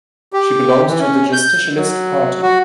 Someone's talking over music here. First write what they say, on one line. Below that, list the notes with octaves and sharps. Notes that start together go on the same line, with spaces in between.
She belongs to the Justicialist Party.
G4
E3
C#4
G6
F#3
F#4